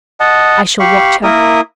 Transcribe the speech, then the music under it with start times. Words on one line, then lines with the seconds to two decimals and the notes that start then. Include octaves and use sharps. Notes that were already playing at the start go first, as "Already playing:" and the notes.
I shall watch her.
0.20 D#5 F#5 A5
0.80 G4 F5 B5 C#6
1.24 A#3 E4 A#4 D#6